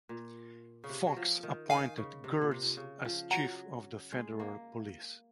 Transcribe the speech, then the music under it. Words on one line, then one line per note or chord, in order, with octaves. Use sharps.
Fox appointed Gertz as chief of the Federal Police.
A#2
C#3
C3
F#3
F3
D#3
D#3 F5 G#5
C#3
C3
A#2
C3
C#3
F3
F#3 F#5 A#5
G#3
A#3